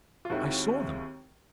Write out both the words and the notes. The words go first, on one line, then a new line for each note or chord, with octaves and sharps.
"I saw them."
F4
D#2 D#3 G#3 C4 E4 F#4